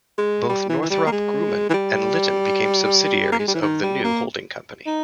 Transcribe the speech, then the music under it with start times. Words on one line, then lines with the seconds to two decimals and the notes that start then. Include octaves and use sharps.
Both Northrop Grumman and Litton became subsidiaries of the new holding company.
0.18 G#3
0.49 G3
0.69 E3
0.82 E3
0.90 G3
1.07 A#3
1.12 G#3
1.70 E3
1.74 G3
3.32 A#3
3.39 G#3
3.48 G3
3.55 E3
3.62 D#3
3.82 G3
4.04 A#3
4.86 D#4